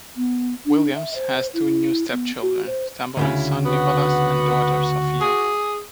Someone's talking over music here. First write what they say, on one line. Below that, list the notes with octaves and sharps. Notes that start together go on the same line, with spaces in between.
Williams has two new step children, Sambolin's son Nicolas and daughter Sofia.
B3
D4
E5
C5
E4
B3
F#4
C5
D2 A#2 C#3 E4
B3 F#4
G#4